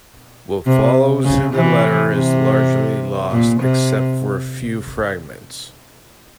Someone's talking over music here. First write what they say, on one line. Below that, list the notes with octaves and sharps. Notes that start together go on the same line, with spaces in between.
What follows in the Letter is largely lost except for a few fragments.
C3
C#3
C3 E3
C3
A#2
C3